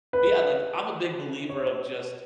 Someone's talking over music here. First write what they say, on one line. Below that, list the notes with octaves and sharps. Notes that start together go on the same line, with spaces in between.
but yeah, like, I'm a big believer of just
B4
C#5